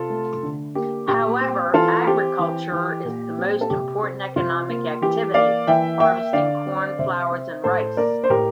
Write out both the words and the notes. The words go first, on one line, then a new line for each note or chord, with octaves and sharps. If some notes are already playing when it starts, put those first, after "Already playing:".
However, agriculture is the most important economic activity, harvesting corn, flowers and rice.
Already playing: C3 F4 A4
A3
D3
A#3 G4
A#2 G4
C4
E3 F4 A4
C4 G4
E3
E3
A#2
C4
A4
C3 G4
C4
C3 F4
A#3
E3 G4
A#3 D5 F5
E3 E5 G5
A#3 E5 G5
D3 D5 F5
C4
C3 C5 E5
C4
A2 A4 C5
A#3 A#4 D5
C5
A2 G4 A#4